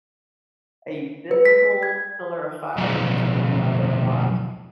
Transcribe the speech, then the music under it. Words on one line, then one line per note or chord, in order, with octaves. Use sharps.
a "biblical pillar of fire" in front of my mother-in-law,
B4
B6
G#6
B1 F2